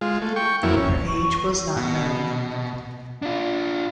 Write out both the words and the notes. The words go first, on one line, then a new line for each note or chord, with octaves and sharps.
Her age was not known.
G#3 F4
A3
G5 C#6
F2 E3 F#3 A#3 E4
C#4
C#6
B2
D4 F4